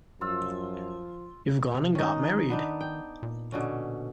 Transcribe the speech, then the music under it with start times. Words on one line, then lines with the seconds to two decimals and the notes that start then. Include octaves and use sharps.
You've gone and got married!
0.21 F#2 F3 F4 E6
1.75 C3
1.95 D#3 C#4 D#4
2.50 B3 D4 D#4
2.81 G5
3.23 A#2
3.52 B2 D3 C#4